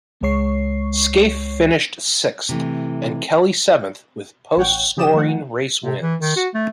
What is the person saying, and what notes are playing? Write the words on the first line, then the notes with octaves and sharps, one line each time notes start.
Skaife finished sixth and Kelly seventh with post scoring race wins.
C#2 G#3 C#5 C#6 C7
C3 E3 A3
A1 C#5 F#5 G5
C#3 F3 G4 D5 D#6 E7
D#3 F3 A3 F#5
C3
E3
D#3
F#4
A3